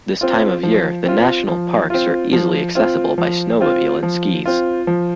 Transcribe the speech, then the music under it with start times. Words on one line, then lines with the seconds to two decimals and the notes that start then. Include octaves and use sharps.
This time of year the national parks are easily accessible by snowmobile and skis.
0.21 C4 F4
0.63 F3
1.06 C4 F4
1.48 F3
1.90 C4 F4
2.33 F3
2.75 C4 F4
3.18 F3
3.61 C4 F4
4.03 F3
4.45 C4 F4
4.87 F3